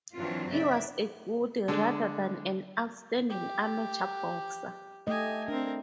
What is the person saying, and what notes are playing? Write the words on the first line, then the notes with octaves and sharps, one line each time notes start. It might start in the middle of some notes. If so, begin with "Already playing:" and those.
He was a good rather than an outstanding amateur boxer.
G2 E3 F#3 C4 D4 F4
C#3 D5 E5
D3 G#3 D4
G4
A3 G4 D#5 G#5
C4 D4 A#4